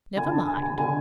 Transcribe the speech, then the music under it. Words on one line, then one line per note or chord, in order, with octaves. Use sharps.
Never mind.'
D3 G#5
A5
D3 G#5
G#5
D3 G#5